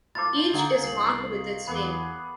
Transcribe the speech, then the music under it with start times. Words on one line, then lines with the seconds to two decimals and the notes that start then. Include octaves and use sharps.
Each is marked with its name.
0.15 A2 F4 A4 C5 B5 D6 A6
0.53 D3 A#3 E4 G#4 F#5 A#5
0.83 C2 A#4 C7 F#7
1.31 A4 C#6
1.67 E2 B3 G#4 F#5 B5 D6